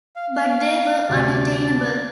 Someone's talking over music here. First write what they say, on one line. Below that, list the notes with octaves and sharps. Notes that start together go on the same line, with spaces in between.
But they were unattainable.
F5
F5
D2 C3 G3 D5
D5
D5
D5